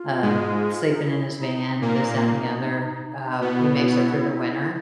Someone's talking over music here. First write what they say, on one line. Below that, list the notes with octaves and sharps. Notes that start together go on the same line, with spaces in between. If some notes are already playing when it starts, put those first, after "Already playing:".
uh, sleeping in his van, this, that, and the other, uh, he makes it through the winter,
Already playing: F4
G#2 G#3
D#4
E4
D#4
A#2 A#3 D#4
B2 B3 E4